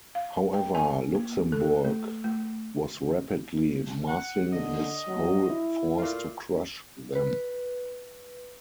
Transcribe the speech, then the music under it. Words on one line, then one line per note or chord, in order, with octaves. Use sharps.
However, Luxembourg was rapidly massing his whole force to crush them.
F5
G5
G#5
A#3
A4
A3
A3
F#5
D3 D#5
F#3
E4
A#2 A3 F4
B4